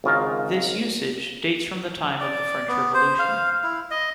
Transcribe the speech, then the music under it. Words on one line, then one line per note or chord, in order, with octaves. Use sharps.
This usage dates from the time of the French Revolution.
G#1 C#3 F4 A#4
D5
B3
C5
F5
E4
D#5